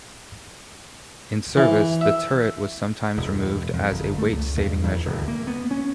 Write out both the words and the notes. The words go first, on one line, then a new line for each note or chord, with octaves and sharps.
In service, the turret was sometimes removed as a weight saving measure.
E3
E5
E1
F2
G1
A3
C#2
E2
E2
D1
A#3
B3
C#4